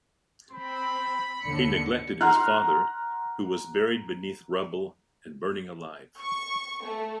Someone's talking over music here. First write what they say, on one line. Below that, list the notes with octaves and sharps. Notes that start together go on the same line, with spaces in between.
He neglected his father, who was buried beneath rubble and burning alive.
C4 B5
D#2 D3 C#7
F#5 A#5 C6 F6 F#6
C#6
A3